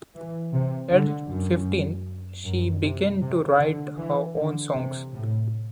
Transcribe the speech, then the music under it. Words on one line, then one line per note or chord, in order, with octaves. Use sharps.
At fifteen, she began to write her own songs.
E3
C3
D3
F#2
F#2
C3
C3
D3
E3
D3
C3
A2